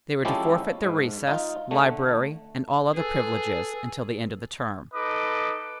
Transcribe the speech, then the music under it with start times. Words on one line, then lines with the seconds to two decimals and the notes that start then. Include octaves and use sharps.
They were to forfeit their recess, library and all other privileges until the end of the term.
0.25 F3 G#3 C#4 E4 G4 A4
0.84 G#2
1.27 D#4 F4
1.71 D3 A3
2.94 G#4 A4 B4
4.94 D#4 A4 B4 D#5 D6